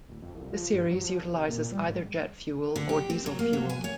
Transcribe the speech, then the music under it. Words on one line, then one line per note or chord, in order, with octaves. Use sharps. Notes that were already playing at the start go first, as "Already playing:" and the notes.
The series utilizes either jet fuel or diesel fuel.
D1
F2
C2
F3
G2
F#3
F3
B1
C3
A#2
G3
G#2
D3
G4
C4
F#3
A#3
F#3
G#5
C#5